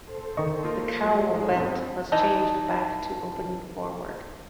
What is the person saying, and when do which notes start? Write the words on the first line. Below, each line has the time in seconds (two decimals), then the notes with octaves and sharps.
The cowl vent was changed back to opening forward.
0.07 A4 C5
0.37 D#3 D#5 C#6
0.64 A#3 F4 A#4
1.04 F#3 G3 A3
1.32 G#2 G#3
1.56 G2 B3 C4
2.12 E3 D#4 D#5 A5